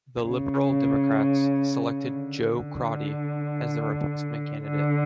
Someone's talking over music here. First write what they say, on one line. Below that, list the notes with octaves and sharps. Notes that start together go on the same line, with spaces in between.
The Liberal Democrats selected Jo Crotty as their replacement candidate.
C#3
D3
D3